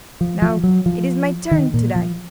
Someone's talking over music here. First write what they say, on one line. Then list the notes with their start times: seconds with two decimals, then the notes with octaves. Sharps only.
'Now it is my turn to die.
0.21 F3
0.42 F3
0.63 F#3
0.86 F3
1.51 D#3
1.74 A#2
1.96 F3